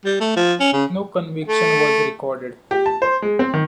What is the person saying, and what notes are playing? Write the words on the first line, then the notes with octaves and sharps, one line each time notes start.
No conviction was recorded.
G3
A3
F3
C#4
C#3
A3
G4
A5
C5
G#3
C4
D#3